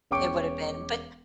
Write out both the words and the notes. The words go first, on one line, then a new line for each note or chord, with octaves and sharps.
It would've been but
E1 C#4 G5 C#6 D6 D7